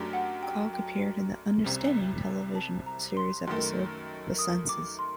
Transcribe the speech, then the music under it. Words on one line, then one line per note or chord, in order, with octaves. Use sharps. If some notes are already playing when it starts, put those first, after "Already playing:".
Cog appeared in the "Understanding" television series episode "The Senses".
Already playing: F#2 F#3 A3 D4 G4
F#5
G5
G5
C2 C3 G3
A5
A#5
C6
F#2 D#3 A3 C6
D#6
D6
C6